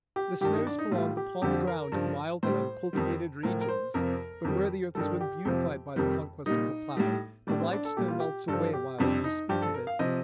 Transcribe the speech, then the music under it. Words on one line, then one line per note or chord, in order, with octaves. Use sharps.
The snows belong upon the ground in wild and uncultivated regions, but where the earth has been beautified by the conquest of the plough, the light snow melts away while you speak of it.
G4
G2 D#3 G3 G4
D#4
D4
D#4
A2 G3 F4
G4
F2 D3 F3 G4
A#4
G2 F3
A2 G3 C5
F2 D#3 G3
A2 F3 A#4
A#4
C5
F2 C3 F3 A#4
F2 D#3 G3
G2 D#3 G3 A4
G4
F2 C3 F3
F2 C3 D#3 G3
A#2 G3 D#4
A2 G3
A2 G3 D4
C4
D4
A4
A#2 G3 G4
F4
G4
G2 F3 A4
G4
F2 C3 G3 D4
D#4
G2 F3 G4
A4
A#4
F5
C3 F3 D#5